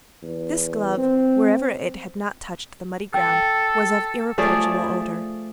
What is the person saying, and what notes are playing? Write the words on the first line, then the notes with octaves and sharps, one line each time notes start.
This glove, wherever it had not touched the muddy ground, was of irreproachable odor.
E2
C4
A4 G5
F3 A3 G#4 D5